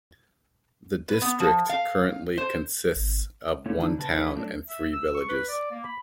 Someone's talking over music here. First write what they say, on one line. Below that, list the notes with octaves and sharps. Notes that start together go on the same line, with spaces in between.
The district currently consists of one town and three villages.
B4
B3
F3
F5
C5
G#1
A3 A#3 C#4 E4 C#5
D#3 F#3 A#3 D4 D#4
C#3 B4 A5
E3 D#4 G#4 B4 C#5 E5
F#3 A3 D4
E5
E6
C#6
B4
D5
A#3
B5